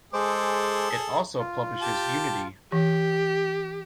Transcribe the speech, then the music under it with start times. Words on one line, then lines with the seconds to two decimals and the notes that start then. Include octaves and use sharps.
It also publishes Unity!
0.13 G#3 G#4 A4 C5 D6
1.39 F4
1.81 G4 A5
2.72 E3 G4